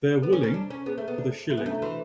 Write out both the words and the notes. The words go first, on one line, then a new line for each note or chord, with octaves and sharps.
They're willing - for the shilling.
B3 A4
C#4
C#4
D4
C#4
B3 G#4
A3
B3
D4
A3 F#4
B3
D4
A3
E4
E3 F#4